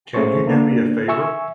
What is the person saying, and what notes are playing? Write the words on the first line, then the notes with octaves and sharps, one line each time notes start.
Can you do me a favor?
A3 C#4 G#4 A4 C5 C#6
D3 A#3 B3 D4
E5 G#5 C#6 E6